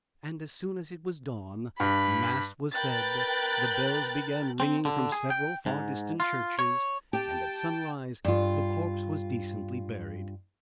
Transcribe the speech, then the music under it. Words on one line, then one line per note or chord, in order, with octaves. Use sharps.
And as soon as it was dawn mass was said; the bells began ringing from several far-distant churches; and at sunrise the corpse was decently buried.
G2 B5
A#4 B4 G5 F#6 A6
C4
D3
G#4
G5
G#2
F4
C#5
G4 G5 A5
G2 F4